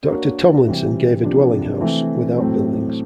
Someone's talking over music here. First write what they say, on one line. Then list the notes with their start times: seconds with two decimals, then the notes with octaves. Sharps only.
Doctor Thomlinson gave a dwelling house, with outbuildings.
0.10 A#3 D4 F#4 A#4 C#5
0.67 C3 E3 G3 C4
1.24 C3 F3 A#3 D4
1.81 E3 A3 C4
2.38 A2 F#3 A3 C4